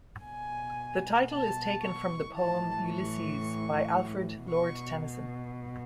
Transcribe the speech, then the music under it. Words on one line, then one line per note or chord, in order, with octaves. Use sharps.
The title is taken from the poem "Ulysses", by Alfred Lord Tennyson.
B2 G#5
A5
C#6
A2 E3 A5
C#6
B2 C#6